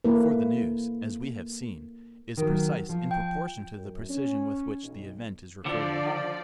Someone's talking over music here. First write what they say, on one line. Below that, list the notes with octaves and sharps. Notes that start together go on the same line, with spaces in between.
For the news, as we have seen, is precise in proportion to the precision with which the event is recorded.
A#3 E4 A4 B4
D#3 F#3
F3
G5
F#2
C#4
B1
D3 F3 D5